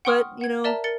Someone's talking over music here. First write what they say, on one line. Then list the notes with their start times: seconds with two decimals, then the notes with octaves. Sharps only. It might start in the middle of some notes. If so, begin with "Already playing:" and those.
But, you know,
0.05 F#5 G5 C6 C#6 D#6 F6
0.41 F#5 G#6
0.64 A#4 D5 E5 A5 A#5
0.84 A#4 A6 C#7